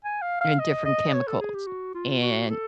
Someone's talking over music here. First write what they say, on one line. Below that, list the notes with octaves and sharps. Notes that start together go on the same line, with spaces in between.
and different chemicals, and,
G#5
F5
F5
D#5
D#5
C#5
A4
G#4
G4
F#4
F4
F#4
A4